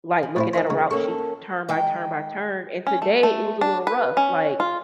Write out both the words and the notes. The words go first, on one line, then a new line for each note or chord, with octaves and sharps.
like, looking at a route sheet turn by turn by turn. And today it was a little rough, like,
E3
D#2 A2 C4 E4
A#2 D#3 F3 C5 D#5
C#3 G#3
A#3 C#4 A4 C#6
D#3 G#3 G5
C#4
A3
A3
D4
B4
C#4
F4